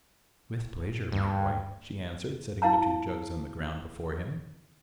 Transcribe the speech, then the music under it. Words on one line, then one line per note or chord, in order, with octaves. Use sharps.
"With pleasure, my boy!" she answered, setting the two jugs on the ground before him.
G2
E4 F5 A5 A#5